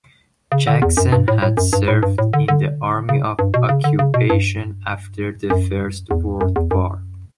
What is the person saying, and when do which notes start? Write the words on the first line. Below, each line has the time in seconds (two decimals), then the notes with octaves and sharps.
Jackson had served in the Army of Occupation after the First World War.
0.52 C#3
0.67 D3
0.82 E2
0.97 F#2
1.12 G2
1.28 A2
1.42 A2
1.57 F#2
1.73 G2
1.88 A2
2.03 G2
2.18 A2
2.33 D3
2.48 D3
3.09 C#3
3.39 G2
3.54 B2
3.69 C#3
3.84 D3
3.99 C#3
4.14 B2
4.30 G2
5.50 F#2
6.11 E2
6.41 F#2
6.56 E2
6.71 F#2